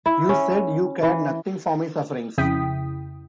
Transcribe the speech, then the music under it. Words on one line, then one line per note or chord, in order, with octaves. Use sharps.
You said you cared nothing for my sufferings!
E4
C#4
E3
F2 C#3 E4 G5 D#6 B6